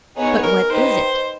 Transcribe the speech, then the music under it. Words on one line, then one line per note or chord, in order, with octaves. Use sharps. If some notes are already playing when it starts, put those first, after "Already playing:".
"But what is it?"
B3 D#4 G#4 C#5 F#5
A#4
D#4 G4 B4 C5 D#5